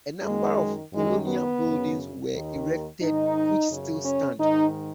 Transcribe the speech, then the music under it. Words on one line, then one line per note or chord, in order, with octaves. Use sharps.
A number of colonial buildings were erected which still stand.
F#2 D#3 G#3
F#2 D#3 G#3
B3
F#2 C#3
D#2 D#3
G#2 D#3 D#4
F#2 C#3
C#4
G#2 D#3 D#4